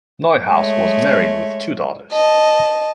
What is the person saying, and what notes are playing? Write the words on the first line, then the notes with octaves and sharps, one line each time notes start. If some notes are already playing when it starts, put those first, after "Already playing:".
Neuhaus was married with two daughters.
G#3 A3 C#5
D#5 A5